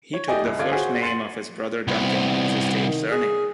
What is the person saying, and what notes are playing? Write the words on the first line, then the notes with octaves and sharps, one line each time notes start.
He took the first name of his brother Duncan as his stage surname.
C#5
A3 D#4 G4 D5 D#5 G#5
C2
D3 F4 D5 G#6
F#4 G#4 C5 C#5 F#5
C6 A6 C#7 D#7 F#7
C2 B3 C4
D#3
G#4